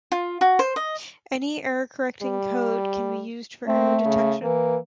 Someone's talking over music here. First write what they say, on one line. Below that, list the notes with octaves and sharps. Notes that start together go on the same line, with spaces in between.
Any error-correcting code can be used for error detection.
F4
F#4
C5
D#5
G3
A3 C4
C#3
E3 A#3